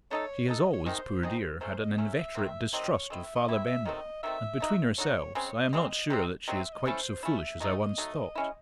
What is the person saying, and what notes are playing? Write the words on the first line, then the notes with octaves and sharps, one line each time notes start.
She has always, poor dear, had an inveterate distrust of Father Benwell; and, between ourselves, I am not sure that she is quite so foolish as I once thought.
A3 D#4 A4 C#5
A3 D#4 A4 D#5
D#5
C#5
C3 D#3 G#3 D#4 C5
C3 D#3 G#3 D#4
F#3 A3 C#4 C5
D#5
F#3 A3 C#4 E5
C3 D#3 F#3 C4
C3 D#3 F#3 C4 D#5
C#5
A3 C4 E4 D#5
E5
D#5
A3 C4 E4 E5
E5
D#3 F#3 A3 C4 D#5
D#3 F#3 A3 C4 E5
A3 D#4 F#4
A3 D#4 F#4 C#5
C#3 G#3 C4 C5
C#5
D#5
C#3 G#3 C4 D#5
C3 F#3 C4
C3 F#3 C4 D#5
E5
D#5
A3 C#4 E4 C5
A3 C#4 E4 E5
F#3 A3 D#4 D#5
F#3 A3 D#4
G#3 C#4 E4